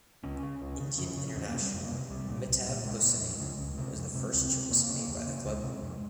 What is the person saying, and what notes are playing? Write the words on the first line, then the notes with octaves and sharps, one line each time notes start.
Indian international Mehtab Hossain was the first choice made by the club.
C#2 C#4
C#3
C#2
C#3
F2 C#4
C#3 C#4
E2 C#4
A#3
C3
G3
F2 G#3
A#3
C3
C2 G3
A#2
C2
A#2
C2 G#3
A#2
F2
C#3
C#2
C3
F2
C3
C#2 C4
C3
F2 A#3
C#3
E2
C#3
C#2 G#3
C3
F2